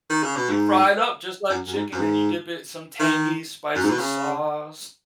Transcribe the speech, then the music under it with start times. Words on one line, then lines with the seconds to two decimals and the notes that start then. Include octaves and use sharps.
You fry it up just like chicken and you dip it in some tangy, spicy sauce.
0.10 D#3
0.23 C#3
0.37 B2
0.50 G#2
1.50 F#2
1.67 F#2
1.74 G#2
1.92 F#2
1.99 G#2
3.00 D#3
3.75 F#2
3.83 G#2
3.91 B2
3.99 C#3